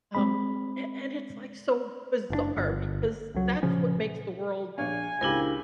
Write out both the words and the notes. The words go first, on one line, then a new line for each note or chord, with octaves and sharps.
Um, and and it's, like, so bizarre because that's what makes the world
G#3 C4 B5
F#1 A#2 D4
G1
C#2 F#3
A#2 C#3 F3 C#4
A#1 D4 C#5 F5 G#5
C#2 C#3 D4 E4 G4 A#4 C5